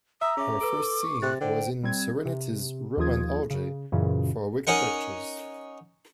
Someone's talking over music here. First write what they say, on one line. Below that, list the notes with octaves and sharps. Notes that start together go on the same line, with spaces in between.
Her first scene was in "Serenity's Roman Orgy" for Wicked Pictures.
E5 A#5 D#6 E6
C#4 G#4 E5 D6
A4 B4 D7
C#6
C3 F#6 A6
D3 C5 G5
G3 C4 G#6
C3
D#2 D#3 F3 F4 D#6 G#6
C#3
F#2 A#2 C#3 E3
C#4 D#4 A#4 F#5